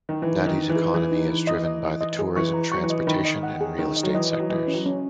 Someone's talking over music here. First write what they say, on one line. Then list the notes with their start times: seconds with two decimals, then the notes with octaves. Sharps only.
Nadi's economy is driven by the tourism, transportation and real estate sectors.
0.09 D#3
0.22 E3 D#4
0.40 E3 D#4
0.46 D#3
0.58 D#4
0.69 E3
0.76 G#4
0.94 E3 G#4
1.12 D#4
1.29 B4
1.47 D#5
1.65 D#5
1.83 D#5
2.01 D#5
2.19 G#4
2.36 E3 C#6
2.54 A#5
2.72 F#3 C#6
2.84 E3
2.90 D#5
3.07 D#3 B5
3.25 D#5
3.43 F#5
3.61 G#4
3.79 D#3 D#5
3.96 D#5
4.03 F#3
4.15 E3 D#5
4.32 D#5
4.40 F#3
4.50 E3 D#5
4.67 C#4
4.74 F#3
4.86 C#4